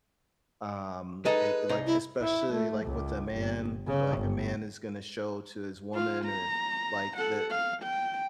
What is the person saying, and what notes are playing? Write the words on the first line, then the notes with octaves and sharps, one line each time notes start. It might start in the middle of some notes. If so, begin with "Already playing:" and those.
um, it like, especially, like, with a man, like a man is gonna show to his woman or, like, the
G#3 D#4 A4 B4
C2 D#4
E4
E4
A3
C#2
G1
C#3
G1
F4 F5
A#5
A4 F#5
F5
G5